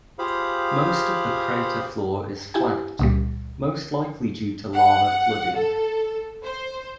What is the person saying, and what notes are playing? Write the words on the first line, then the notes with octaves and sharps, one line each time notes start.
Most of the crater floor is flat, most likely due to lava flooding.
F4 G4 G#4 C5 F5 B5
E4 G4 G#5
C#2 A#2 G3
F#5
A4
C5